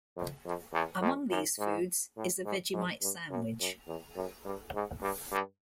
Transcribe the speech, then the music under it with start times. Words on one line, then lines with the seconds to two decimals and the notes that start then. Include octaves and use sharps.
Among these foods is a Vegemite sandwich.
0.17 F2
0.45 F2
0.73 E2
1.02 F2
1.31 F#2
1.59 G#2
2.17 A2
2.45 G#2
2.73 G#2
3.02 G2
3.30 F#2
3.60 F#2
3.87 E2
4.16 F#2
4.45 G2
4.74 G#2
5.02 G2
5.31 G2